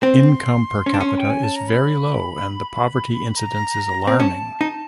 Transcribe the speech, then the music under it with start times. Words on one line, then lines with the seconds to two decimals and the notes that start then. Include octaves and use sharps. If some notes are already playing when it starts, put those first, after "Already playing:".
Income per capita is very low and the poverty incidence is alarming.
0.02 C4 C6
0.86 C#4
0.94 D4
1.00 C#4
1.18 G5
1.30 G#5
1.43 A5
1.56 A#5
1.69 B5
3.36 A#5
4.07 C4
4.19 C#4 A5
4.61 D#4